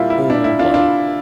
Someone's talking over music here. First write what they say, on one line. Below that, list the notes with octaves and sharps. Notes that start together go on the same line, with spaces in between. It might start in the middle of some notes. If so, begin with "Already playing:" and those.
old, like,
Already playing: A#2 G3 A#3 E4 F4
E4
D4
E4
D4 F4
D4 F4